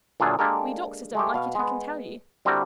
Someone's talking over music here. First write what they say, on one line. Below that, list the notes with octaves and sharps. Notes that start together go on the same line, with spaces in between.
We doctors don't like it, I can tell you!'
A#2 D3 F#3 A3 F4 G#4
G#3 A#3 D4 G4 A4 A#4
G#3 A3 G4
B2 F5
G#3 B3
D3 G3 C4 E4 F#4 A#4